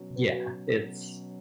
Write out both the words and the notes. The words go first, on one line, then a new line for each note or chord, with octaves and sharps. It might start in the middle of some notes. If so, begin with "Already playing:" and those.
Yeah, it's
Already playing: B2 F#3 C#4
F#4 B4